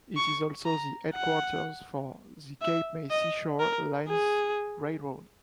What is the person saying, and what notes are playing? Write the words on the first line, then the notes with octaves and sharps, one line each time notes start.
It is also the headquarters for the Cape May Seashore Lines Railroad.
C#6
A#5
F#5
E5
D#5
A#4
G#4